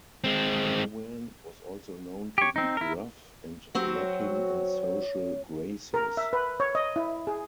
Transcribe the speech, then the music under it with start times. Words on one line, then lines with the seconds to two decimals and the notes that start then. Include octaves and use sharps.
Marwan was also known to be gruff and lacking in social graces.
0.24 G#3 C4
2.38 G4 C#5
2.56 C4 D#4
2.77 E4 A#4
3.75 F#3 C4 F#4 G4
3.94 C#5
5.94 A#4
6.17 E5
6.33 B4
6.60 C#5
6.75 D#5
6.96 E4
7.27 G#4